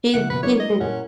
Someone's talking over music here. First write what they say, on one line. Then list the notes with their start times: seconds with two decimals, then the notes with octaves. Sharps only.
She's she's n
0.14 C#3 F3 A#3 E4 F#5
0.30 B2 B4
0.43 F#3 D4 E4 A#4 C#5 D5
0.60 D#5
0.80 A#2 C#4 E4 A4 A#4 C#5 F#5